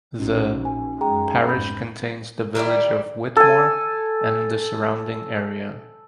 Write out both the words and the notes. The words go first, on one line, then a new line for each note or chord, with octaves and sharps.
The parish contains the village of Whitmore and the surrounding area.
A#1 C#4 D#4 F#4
G#5
F#2 G#3 G#4 G5 A#5
F1 G#2 B5 G6
D#3 G3 E4 D5
A4 G#5